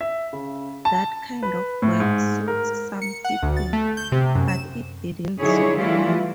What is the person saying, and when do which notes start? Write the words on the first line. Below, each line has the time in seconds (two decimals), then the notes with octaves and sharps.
That kind of work suits some people, but it didn't suit me.
0.01 E5
0.33 C#3
0.85 A5
1.43 B4
1.82 A2
2.00 G#2
2.48 A#4
3.02 C#7
3.25 F#5
3.43 D2
3.57 A6
3.73 A3
3.97 G6
4.12 C3
4.35 F#2
4.48 E7
5.41 D3 F#3 D#4 E4 G#4 C#5
5.78 E3 F#3 G3 A3 E4 F4